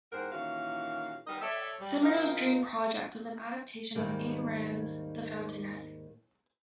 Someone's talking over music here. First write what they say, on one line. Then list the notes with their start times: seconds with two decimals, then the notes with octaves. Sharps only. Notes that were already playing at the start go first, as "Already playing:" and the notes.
Cimino's dream project was an adaptation of Ayn Rand's "The Fountainhead".
0.13 E2 G#2 G4 A#4 C5 F#5
0.32 A#2 D#3 E3 C#4 F#4 F5
1.27 D#3 G3 B3 A#4 D#5
1.41 A4 C#5 D5 E5
1.80 G3
2.03 C#3 F3 C4 D#4 A#4 F5
3.95 D#2 G#2 D#3 G3 A#3